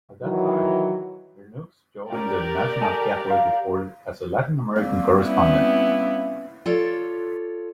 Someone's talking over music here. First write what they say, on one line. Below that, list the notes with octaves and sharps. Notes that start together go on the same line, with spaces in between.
At that time, Lernoux joined the "National Catholic Reporter" as a Latin American correspondent.
D#3 E3 F#3
C#4 F4 G4 A#4 D5 G5
A4 G#5 A5
F5 A#5
G3 A#3 C4
B3 C#4 E4
F4 A4 C#5 D5